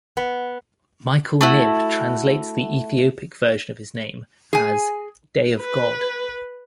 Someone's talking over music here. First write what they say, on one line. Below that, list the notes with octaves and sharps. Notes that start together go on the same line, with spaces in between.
Michael Knibb translates the Ethiopic version of his name as "Day of God".
B3
A3 E4 F#4
G#4 G#5
B4